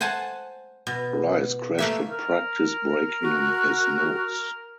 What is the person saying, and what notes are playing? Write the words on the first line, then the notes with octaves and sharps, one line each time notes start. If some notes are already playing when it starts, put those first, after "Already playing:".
Rice crashed in practice breaking his nose.
C5 F#5 G#5 A5
B2
A3 A#3 E5
A#4
F#4